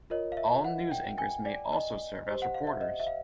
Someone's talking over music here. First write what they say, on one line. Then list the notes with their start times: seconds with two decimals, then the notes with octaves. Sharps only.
All news anchors may also serve as reporters.
0.10 F4 A#4 C#5 D#5
0.32 F5
0.37 E5
0.64 F#5
0.91 G5
1.18 G#5
1.45 D5
1.73 D#5
2.27 G4 C5
2.42 F#5
2.54 F5
2.67 E5
2.81 D#5
3.00 E5
3.07 F5